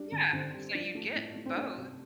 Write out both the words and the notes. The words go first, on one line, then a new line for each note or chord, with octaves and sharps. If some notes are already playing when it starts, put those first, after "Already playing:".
Yeah, so, you'd get both
Already playing: G3 D4
D3
D3 C4
G3
F3 D4
A3
A2
A2
C4
A3 D4
C3